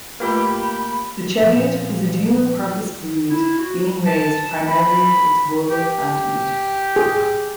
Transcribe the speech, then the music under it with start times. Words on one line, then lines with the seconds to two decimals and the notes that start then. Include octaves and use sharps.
The Cheviot is a dual-purpose breed, being raised primarily for its wool and meat.
0.20 A3 A#3 F4 G4 B4 B5
1.42 A#2 F3 C4 F5
3.30 E4
3.58 F#4
4.06 A5
4.67 B5
5.71 G4
6.96 G#4